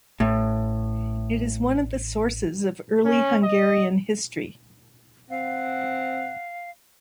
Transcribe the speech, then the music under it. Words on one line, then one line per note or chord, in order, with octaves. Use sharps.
It is one of the sources of early Hungarian history.
A1 A2
C#4
D#5
C4 F5 F#5